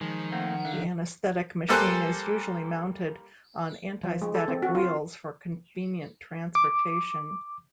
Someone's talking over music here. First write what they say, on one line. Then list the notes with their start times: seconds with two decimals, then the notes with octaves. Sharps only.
The anaesthetic machine is usually mounted on anti-static wheels for convenient transportation.
0.01 D#3 F3 G#3
0.32 A3 A#3 C4 F#5
0.65 D3 E5 F5
1.69 G3 A#3 A4 C5 G#5 F#6
4.04 F3
4.22 G#3
4.35 A4
4.48 C4
4.62 F#4
4.75 F4
6.55 D6